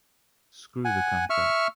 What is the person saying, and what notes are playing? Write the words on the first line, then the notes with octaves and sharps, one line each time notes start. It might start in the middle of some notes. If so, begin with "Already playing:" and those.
Screw the contract!
F#5 G#5
E5 C#6 F6